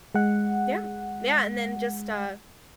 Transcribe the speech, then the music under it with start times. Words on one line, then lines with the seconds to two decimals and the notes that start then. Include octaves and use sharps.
Yeah. Yeah, and then just, uh,
0.15 G#3 F#5